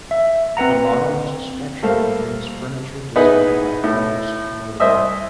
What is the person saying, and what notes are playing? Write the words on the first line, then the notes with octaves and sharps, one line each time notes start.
The Modernist structure contains furniture designed by Florence Knoll.
E5
C4 B4 F#5 A#5
G3 A3 A#3 A4 C5 F5
B3 D#4 E4 G#4 B4
A2
C2 C5 D#5 E5 D#6